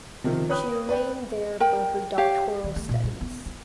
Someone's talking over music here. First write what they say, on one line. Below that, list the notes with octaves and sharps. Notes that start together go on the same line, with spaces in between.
She remained there for her doctoral studies.
C3 D#3 F3
B4 C#5 G5 B5 D#6 F#6
B4 D5 G5
A#4 G5
G4 C#5 F5
D#3
A3
A#2
G2
B3
D#4